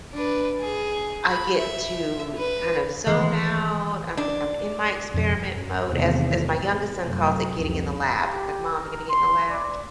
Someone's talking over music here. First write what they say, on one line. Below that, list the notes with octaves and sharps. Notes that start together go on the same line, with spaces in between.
I get to kind of zone out. I'm I'm in my experiment mode as as my youngest son calls it getting in the lab. He's, like, "Mom, you gonna get in the lab."
D4 B4
G#4
B5
E5
B4
D#3 E3 G#3 A3
D4
F2 B2 F3
F#2
E2 G#2 C3 D#3 A3 C4
C3
F#2 C3 F#3 A3
C2 F2 C3
G4
A#4
C6
D5